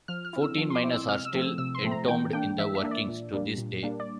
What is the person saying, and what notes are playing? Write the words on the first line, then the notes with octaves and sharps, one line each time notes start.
Fourteen miners are still entombed in the workings to this day.
F3 F6
F6
C4 E4
E6
F3
C6
D6
C4 E4
E6
C3 F6
E6
F3 A3 C4
E6
C3 E6
C6
F3 A3 C4
A#5
E3 G5
A#3 D4 G5
E3 E5
E5
A#3 D4
D5
A#2
G3 A#3 D4
A#2
G3 A#3 D4
D5